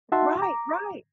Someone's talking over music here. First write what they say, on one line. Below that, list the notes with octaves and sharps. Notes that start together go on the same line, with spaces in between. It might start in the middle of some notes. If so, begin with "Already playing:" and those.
Right, right!
D#4 F#4 E5 F#5 A5 C6
A#5 D6